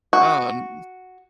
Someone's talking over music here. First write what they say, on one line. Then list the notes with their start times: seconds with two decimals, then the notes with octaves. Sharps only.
Oh n
0.13 F#4